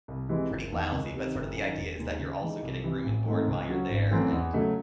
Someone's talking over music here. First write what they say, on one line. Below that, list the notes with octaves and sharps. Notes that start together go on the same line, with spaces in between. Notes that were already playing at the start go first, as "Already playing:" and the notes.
pretty lousy, but sort of the idea is that you're also getting room and board while you're there and,
C2
C3 E3 G#3
F#1
E2 D#3
C#2
C3 D#3
F#1
F#2 D#3
E1
D#2 D#3 G#3
C#3
E3 G#3 D#4
C2
C3 E3
A1
G#2 D#3 A3 C4
C#2
C#3 F#3 C#4 F#4
G#1
F#2 E3 A3 C4
E2
C#3 F#3 A3 C#4